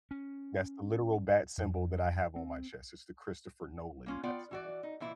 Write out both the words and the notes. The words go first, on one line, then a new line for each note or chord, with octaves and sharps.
that's the literal bat symbol that I have on my chest, it's the Christopher Nolan bat symbol.
C#4
F2
C4
A#3 C#4 F4
B3 F4 D5 F#5 G5
E3 F#4 D5
D#4
A#2 E3 E4